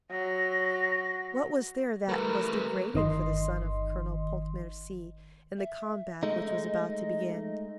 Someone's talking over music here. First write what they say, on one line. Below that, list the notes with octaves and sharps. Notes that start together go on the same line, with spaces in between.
What was there that was degrading for the son of Colonel Pontmercy in the combat which was about to begin?
F#3 A#6
E3 G3 A3 A#4 B4
G1 D#3 D#5 C6
E5
G#3 A3 D#4 D#5